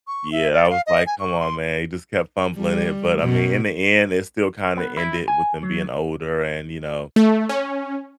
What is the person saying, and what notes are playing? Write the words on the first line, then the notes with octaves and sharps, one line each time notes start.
Yeah, I was, like, "Come on, man," he just kept fumbling it, but I mean, in the end, it still kinda ended with them being older and, you know
C#6
E5
D5
F5
D#5
G#5
C#6
C6
G3
B2
B3
E4
G#5
F#3
A3
C#4